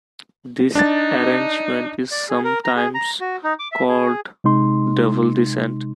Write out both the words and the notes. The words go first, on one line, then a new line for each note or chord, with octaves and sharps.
This arrangement is sometimes called double descent.
D4 D#4 A6
D5
G#4
A#4
A#5
G#4
A#5
F#4
D#4
D6
E5
G#4
C3 G#3 D#4 C6